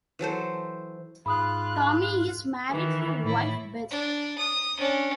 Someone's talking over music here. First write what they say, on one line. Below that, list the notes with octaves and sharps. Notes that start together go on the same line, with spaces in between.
Tommy is married to wife Beth.
E3 F#3 A4 C5
G#2 F4 B5 D#6 F#6
D#3 E3
A2 E4
D4
D#6
C#4 D4